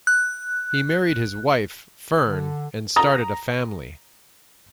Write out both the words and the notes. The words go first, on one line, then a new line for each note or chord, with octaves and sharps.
He married his wife, Fern, and started a family.
F#6
D3
A#5 D#6